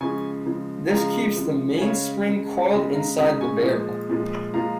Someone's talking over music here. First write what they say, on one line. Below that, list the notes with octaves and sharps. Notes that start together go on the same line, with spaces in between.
This keeps the mainspring coiled inside the barrel.
C#3 F3 G#3 G#5 C#6
C#3 F3 G#3
C#3 F3 G#3 F5 A#5
C#3 F3 G#3
G#5
C#3 G#3 C#5 F5
C#3 G#3
C#3 G#3 D#5 G#5
F5 A#5
C#3 G#3 A#5 D#6
G#5 C#6
A#2 F3 G#3
A#2 F3 G#3
A#2 F3 G#3 F5 A#5